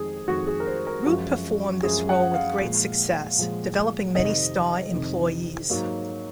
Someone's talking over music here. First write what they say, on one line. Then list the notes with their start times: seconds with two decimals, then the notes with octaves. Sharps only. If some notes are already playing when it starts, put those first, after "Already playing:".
Root performed this role with great success, developing many star employees.
Already playing: F2 D#3 G#3 G#4
0.28 F2 D#3 G#3 F#4
0.47 G#4
0.60 A#4
0.67 C5
0.87 A#4
1.06 F#2 F3 G#3 F#4
1.83 F#2 F3 G#3 G#4
2.09 F#5
2.34 F5
2.61 A#2 F3 G#3
3.38 A#2 F3 G#3
4.15 F2 C3 D#3 D#5
4.93 F2 C3 D#3
5.70 G#2 F#3 A#3